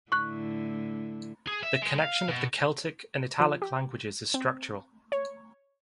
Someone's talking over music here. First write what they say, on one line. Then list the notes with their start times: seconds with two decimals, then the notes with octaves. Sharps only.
The connection of the Celtic and Italic languages is structural.
0.12 A2 D3 E4 C#6 F#6
1.47 G#4
1.63 E5
1.82 G#3
1.99 F5
2.28 B2
3.40 F3
3.62 G4
4.34 C4
5.12 C#5